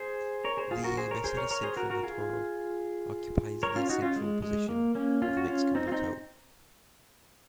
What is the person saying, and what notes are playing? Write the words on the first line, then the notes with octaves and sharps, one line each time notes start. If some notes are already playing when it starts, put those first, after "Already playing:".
The Meseta Central matorral occupies the central portion of the Mexican Plateau.
Already playing: G#4 C5
A#4 C#5
G#4 C5
F4 G#4
F#4 A#4
G#4 C5
A#4 C#5
G#4 C5
A#4 C#5
A#4 C#5
G#4 C5
F#4 A#4
F#4 A#4
F4 G#4
A#4 C#5
C#4 F4
D#4 F#4
C#4 F4
G#3
G#3
A#3
A#3 C#4
C#4 F4
F#4
C#4 F4
C4 D#4
F4
C4 D#4